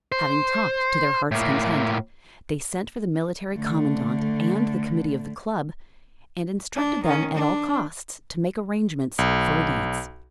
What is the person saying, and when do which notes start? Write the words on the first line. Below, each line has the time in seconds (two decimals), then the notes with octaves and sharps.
Having talked to their hearts' content, they sent for the Military Commandant and the committee of the club, and instructed them at all costs to make arrangements for a dance.
0.12 C5
1.32 A2 A#3
3.53 D3 A3
6.75 D4
7.04 D#3 C#4
7.35 D4
9.18 B1